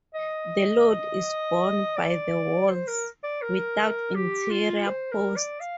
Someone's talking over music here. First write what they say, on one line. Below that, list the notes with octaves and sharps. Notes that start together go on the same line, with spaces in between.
The load is borne by the walls, without interior posts.
D#5
D5
C5
A#4
D5
A#4
G4
F4
C5
A#4
D5
F5